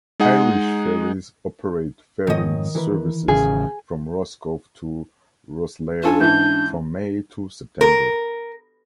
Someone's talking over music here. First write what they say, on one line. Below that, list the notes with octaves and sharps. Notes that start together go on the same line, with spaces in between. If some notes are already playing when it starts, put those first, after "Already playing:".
Irish Ferries operate ferry services from Roscoff to Rosslare from May to September.
G#3 D#4 G#4 F#5
F2 G#2 D#3 C#5 D#5
E3 A#4 B4
A1 C#3 G#4
C#4 D4 F4 A4 G#5
G#2 E3 E5 A5 G6
A#4